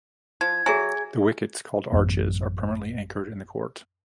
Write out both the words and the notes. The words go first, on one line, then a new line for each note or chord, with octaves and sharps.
The wickets, called arches, are permanently anchored in the court.
F3 G#6
F#3 G#4 E5 G#5
A1 F#2 A2 B3